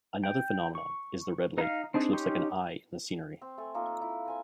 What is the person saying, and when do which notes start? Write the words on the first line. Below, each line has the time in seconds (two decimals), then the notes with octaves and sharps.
Another phenomenon is the Red Lake which looks like an eye in the scenery.
0.24 G5
0.75 C#6
1.58 D#4 F5
1.94 C4 D4 D#4 G#4
2.13 C#4 D#4 G4 C6
3.42 C4
3.58 A3 A4 G#5
3.74 A#3 D#4 F4 A4
4.02 E4
4.25 C4 G#5 C6